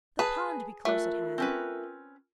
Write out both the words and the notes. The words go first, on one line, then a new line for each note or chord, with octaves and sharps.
The pond be close at hand.
G#4 B4 G#5 A5
A3 F4 A#4 F#6
C4 C#4 B4